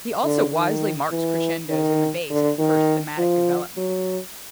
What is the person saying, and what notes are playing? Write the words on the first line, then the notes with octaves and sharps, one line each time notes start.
He also wisely marks crescendos in the bass at the first thematic development.
D3
D#3
E3
D#3
D3
D#3
F3
F#3